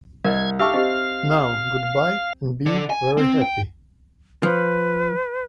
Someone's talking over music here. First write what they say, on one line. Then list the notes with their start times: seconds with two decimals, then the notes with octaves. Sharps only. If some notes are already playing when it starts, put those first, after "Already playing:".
Now, good-bye, and be very happy!
0.25 C2 A#4 C5 D#5 G#6
0.60 D#4 G4 E5 F5 C#6 E6
0.74 C4 G4 D#5
2.66 D3
2.90 G#5
3.17 C4
3.42 G5
4.43 F3 B4